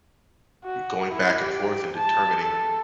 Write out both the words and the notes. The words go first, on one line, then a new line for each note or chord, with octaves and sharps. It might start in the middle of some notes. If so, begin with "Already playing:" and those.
y going back and forth and determining
F#4
E4
G4
A5
A4